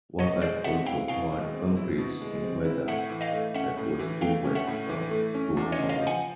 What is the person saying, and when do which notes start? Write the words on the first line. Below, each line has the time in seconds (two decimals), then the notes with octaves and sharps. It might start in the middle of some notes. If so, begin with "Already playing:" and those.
Workers also poured concrete in weather that was too wet or too cold.
0.19 B2 C#5 D#5
0.42 G#3 C5 D5
0.64 C4 E5 F#5
0.86 E4 F5 G5
1.08 B2 F5 G5
1.32 G#3
1.53 C4
1.77 E4
1.98 B2
2.21 G#3
2.43 C4
2.65 E4
2.88 A2 E5 F#5
3.10 E3
3.21 D#5 F5
3.32 A3
3.54 C#4 E5 F#5
3.77 A2
3.99 E3
4.21 A3 F5 G5
4.45 C#4
4.55 E5 F#5
4.67 A2
4.89 E3
5.11 A3
5.34 C#4
5.57 E2
5.72 C#5 D#5
5.78 C#3
5.89 D#5 F5
6.01 F3
6.07 F#5 G#5